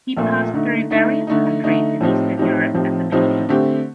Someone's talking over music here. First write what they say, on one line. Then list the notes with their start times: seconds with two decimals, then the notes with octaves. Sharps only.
He passed through various countries in Eastern Europe and the Middle East.
0.17 A#1 A#2 A3
0.53 D3 A3 D#4
0.91 D3 A3 D#4
1.27 D3 A3 D#4
1.64 D3 A3 D#4
2.01 A2 F3 C4 D#4 G4
2.38 A2 F3 C4 D#4 G4
2.74 A2 F3 C4 D#4 G4
3.12 A2 F3 C4 D#4 G4
3.49 D3 A3 C4 G4